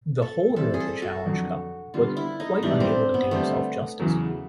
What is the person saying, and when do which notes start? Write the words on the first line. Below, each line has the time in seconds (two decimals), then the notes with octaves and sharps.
The holder of the challenge cup was quite unable to do himself justice.
0.22 A4
0.56 E3 G3 C4 A4
0.74 G#4
0.80 A4
1.02 F#4
1.26 F2 D3 F#3
1.94 D3 G3 B3 D4 F4
2.17 E4
2.40 D#4
2.63 G#2 E3 G3 B3 D4 E4
2.80 C4
3.14 B3
3.31 D3 G3 A3 C4
4.00 E2 C#3 F#3